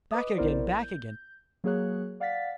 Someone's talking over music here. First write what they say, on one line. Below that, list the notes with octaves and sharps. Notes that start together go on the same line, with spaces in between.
'Back again! back again!
B4 D#5 D6 D#6
A#1 B3 E4 A#4 C5 D5
G6
F#3 A#3 G#4 C#5 F#6
D5 F5 F#5 A6 B6